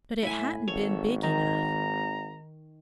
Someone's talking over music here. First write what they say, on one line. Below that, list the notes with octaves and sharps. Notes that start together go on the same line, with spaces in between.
But it hadn't been big enough.
A2 E5 G#5 B5
G#1 A4 C#5
D#3 A#5